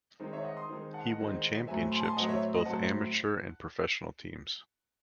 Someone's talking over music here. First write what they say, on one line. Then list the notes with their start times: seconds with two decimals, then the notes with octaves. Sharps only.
He won championships with both amateur and professional teams.
0.20 D#3 G#3 C4 D#4
0.33 C#5 E5
0.44 D#5 F#5
0.57 C6 D#6
0.69 D#3 G#3 C4 D#4
0.93 F#5 A5
1.06 D#5 F#5
1.18 D#3 G#3 C4 D#4
1.67 A2 F#3 C4 E5 G#5
1.92 G#5 C6
1.99 A5
2.04 G#5 C6
2.17 A2 F#3 C4 D#5 F#5
2.29 C#5 E5
2.53 D#5
2.65 A2 F#3 C4 F#5 A5